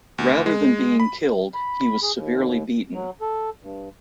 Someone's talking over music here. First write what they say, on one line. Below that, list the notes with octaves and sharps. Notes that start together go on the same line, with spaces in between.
Rather than being killed, he was severely beaten.
D2
G#3
B5
B5
G#4
D#2
F#3
A4
G2